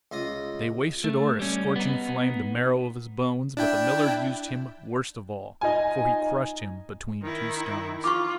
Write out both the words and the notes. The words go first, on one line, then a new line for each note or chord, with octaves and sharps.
They wasted o'er a scorching flame The marrow of his bones, But the miller used him worst of all, For he crushed him between two stones.
C#2 F4 D#5 D#6
A3
G3 C#4
B3 D#4
D4 E4 G5
D#4 F4 G#5
D#3 E4
F4 C#6 D6